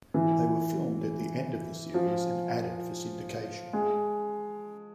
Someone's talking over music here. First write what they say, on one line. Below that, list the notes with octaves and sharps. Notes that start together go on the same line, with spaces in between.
They were filmed at the end of the series and added for syndication.
E3
F3
G#3